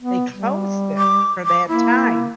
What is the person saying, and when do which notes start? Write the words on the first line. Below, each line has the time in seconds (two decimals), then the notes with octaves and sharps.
they closed it for that time.
0.01 B3
0.33 G3
0.97 D6
1.45 D6
1.68 A#3 E4